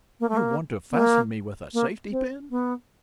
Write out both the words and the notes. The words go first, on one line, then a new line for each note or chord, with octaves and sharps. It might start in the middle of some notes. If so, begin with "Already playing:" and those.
"You want to fasten me with a safety-pin?"
A#3
A3
A#3
B3
A#3
A#3
C4
B3